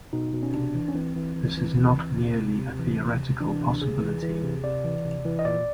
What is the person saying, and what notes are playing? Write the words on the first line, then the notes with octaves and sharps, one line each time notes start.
This is not merely a theoretical possibility.
B2 D#4
B2
C#4
C3 D4
E3
C#4
E3 C4
E3
E3
E3
E3
E3
C3
C3
C3
E3
C3
C3
E3 D4
C3
C3 G#4
E3
E3
C3
C3 D5
E3
C3
E3
D#5
A#2 D5